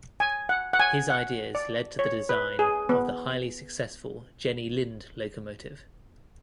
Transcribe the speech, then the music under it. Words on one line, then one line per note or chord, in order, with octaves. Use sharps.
His ideas led to the design of the highly successful Jenny Lind locomotive.
G#5
F#5
F#5
G#5
F#5
D5
C#5
B4
G#4
B3